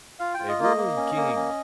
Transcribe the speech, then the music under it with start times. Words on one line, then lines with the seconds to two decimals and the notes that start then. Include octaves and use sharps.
"A boon, King!"
0.19 F4 F5
0.34 F4 G5
0.49 D#5
0.58 A#3
0.63 D#5
0.77 A#3
0.96 C#4
1.16 A#3
1.36 C#4